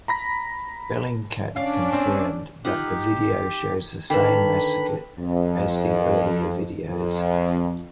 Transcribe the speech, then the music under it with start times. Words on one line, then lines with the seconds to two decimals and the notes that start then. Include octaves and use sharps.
Bellingcat confirmed that the video shows the same massacre as the earlier videos.
0.08 A#5 B5 A#6 B6
1.56 C#4 D4 F5
1.93 C4
2.65 D#4 F4 G4 F#5
4.10 D3 D#3 A#3 B4 G5 B5
5.19 F2
6.88 F2